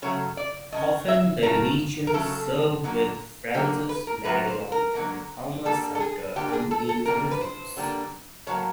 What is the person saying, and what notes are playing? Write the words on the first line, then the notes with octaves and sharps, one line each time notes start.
Often, the Legion served with Francis Marion and Thomas Sumter in these missions.
C#3 F#3 A3 C#5
D5
C#3 F#3 A3 D#5
E5
C#3 F#3 A3 A#4
A#4
C#3 F#3 A3 A4
D3 F#3 A#3
D3 F#3 A#3 G4
B4
A#4
D3 F#3 A#3 B4
C5
A#4
D3 F#3 A#3
D3 G3 A#3 A4
A4
G#4
D3 G3 A#3 G4
G4
G#4
A4
A4
D3 G3 A#3 A#4
B4
C5
D3 G3 A#3
A2 F#3 A#3 C#5